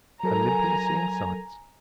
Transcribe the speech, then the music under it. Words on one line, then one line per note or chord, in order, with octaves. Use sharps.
Olympia seeing sights?
F#3 A4 A#4 G#5 A#5